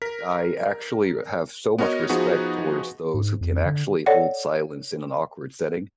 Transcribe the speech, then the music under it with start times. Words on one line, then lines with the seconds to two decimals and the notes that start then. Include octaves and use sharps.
I actually r have so much respect towards those who can actually hold silence in an awkward setting.
0.02 A#4 B6
1.78 B3 F#4 A#4 C#5 D#5
2.09 F3 B3 D#4 F#4 G#4 B4
3.14 G#2
3.41 F2
3.65 D3
4.06 A4 C#5 D5 F#5